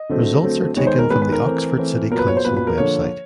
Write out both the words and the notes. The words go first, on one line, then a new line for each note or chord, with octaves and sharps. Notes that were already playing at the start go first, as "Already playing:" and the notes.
Results are taken from the Oxford City Council website.
Already playing: D#5
D3 F#3 A3 C4
D3 F#3 A3 C4
D#3 G#3 B3 C#5
C5
A#4
D#3 G#3 B3 B4
B4
A#4
E3 A3 C4
E3 A3 C4
A#2 F#3 B3 A#4
B4
C#5
C5
A#2 F#3 B3 B4
B4
A#4
D3 F3 A#3 C#5